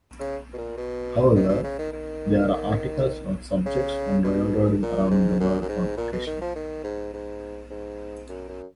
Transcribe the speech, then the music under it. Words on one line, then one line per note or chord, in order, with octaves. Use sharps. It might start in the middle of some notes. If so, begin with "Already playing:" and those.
However, there are articles on subjects on railroading around the world on occasion.
C#3
B2
A#2
B2
D#3
B2
C#3
D#3
D#3
C#3
B2
A#2
G#2
F#2
F#2
G#2
A#2
B2
D#3
F3
D#3
G#2
G#2
G#2
F#2
F#2